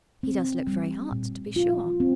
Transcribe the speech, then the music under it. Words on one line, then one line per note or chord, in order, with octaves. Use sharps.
"He does look very hot, to be sure."
C4
G3
A#2
F4
C4